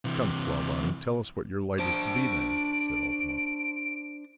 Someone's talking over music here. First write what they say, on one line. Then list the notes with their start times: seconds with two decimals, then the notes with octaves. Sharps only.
"Come, Clawbonny, tell us what your light is to be, then," said Altamont.
0.05 C3 E3
1.79 D4 C5 A5 D7